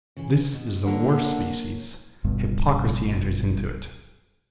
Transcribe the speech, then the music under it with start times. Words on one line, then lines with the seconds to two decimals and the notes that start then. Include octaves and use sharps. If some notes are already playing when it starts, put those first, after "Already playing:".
This is the worst species; hypocrisy enters into it.
0.17 C#3 E3
0.53 B2
0.86 D3 A#3 A#4 C#5
2.24 G1 C#2 G2 B2